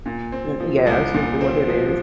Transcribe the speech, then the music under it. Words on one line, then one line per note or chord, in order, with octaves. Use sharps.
M mm, yeah, that's usually what it is.
A#2
C4
F3
C2
A#2
C4
F3